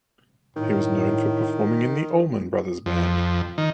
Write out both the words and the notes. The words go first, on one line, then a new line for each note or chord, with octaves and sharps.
He was known for performing in the Allman Brothers Band.
A2 D#3
F2
D#3